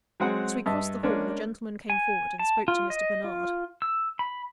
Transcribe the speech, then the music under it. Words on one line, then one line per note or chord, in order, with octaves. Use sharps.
As we crossed the hall, a gentleman came forward, and spoke to Mr. Bernard.
F#3 G#3 C4 F#4 G#4 F#5
G2 D#5 E5 A5
G#3 A#3 C#4 D4
G#5
A5
F4
D#5
F4
E6
B5